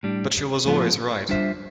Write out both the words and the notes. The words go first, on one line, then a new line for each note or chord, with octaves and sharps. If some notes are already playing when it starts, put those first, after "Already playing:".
But she was always right.
A2 G3 D4
A2 F3 B3 F4
G3 D4 F4 C5 E5